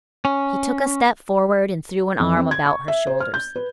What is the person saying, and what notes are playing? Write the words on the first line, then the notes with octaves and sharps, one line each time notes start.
He took a step forward and threw an arm about her shoulders.
C#4
F2
C4
G#6
C#6
E5
C5
F6
G6
B4